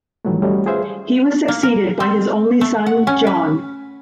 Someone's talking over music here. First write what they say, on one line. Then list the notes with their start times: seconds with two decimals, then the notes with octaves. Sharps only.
He was succeeded by his only son, John.
0.25 G#2 D#3 E3 F#3 G3 A3
0.42 G3 A3 C#4 F#4 C#5 D#5
0.66 F4 G#4 B4 C5 E5 F5
1.48 A#3
1.63 A#4
2.00 C4
2.61 A3
2.86 F#5
3.07 C#4
3.27 B4